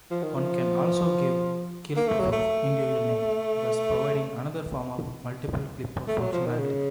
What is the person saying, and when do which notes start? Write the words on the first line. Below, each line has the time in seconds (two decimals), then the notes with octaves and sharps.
One can also give kill-buffers individual names, thus providing another form of multiple-clipboard functionality.
0.11 F3
0.23 D#3
0.36 F3
1.96 A#3
2.07 A3
2.20 F#3
2.32 A3
6.07 A3
6.20 F#3
6.33 F3
6.46 D#3
6.59 C#3